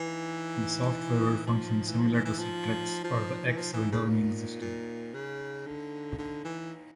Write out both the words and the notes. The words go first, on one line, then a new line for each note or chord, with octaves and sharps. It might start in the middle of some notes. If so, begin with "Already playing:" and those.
This software would function similar to Citrix or the X Windowing system.
Already playing: E3
F3
E3
F3
E3
E3
F3
F3
E3
F3
E3
C#3
A#2
A#2
C#3
D3
D3
E3